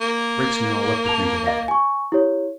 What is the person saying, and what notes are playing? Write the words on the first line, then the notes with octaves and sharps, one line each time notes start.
It breaks me all up to think about it.
A#3
A5 F7
D#5 F5 A#6
G#5 C#6
E4 G4 C#5